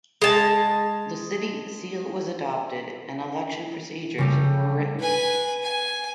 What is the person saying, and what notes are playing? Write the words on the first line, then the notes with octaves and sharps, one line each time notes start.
The City Seal was adopted, and election procedures were written.
G#3 A5
C#3 G3 A3
B4 G#5
G#5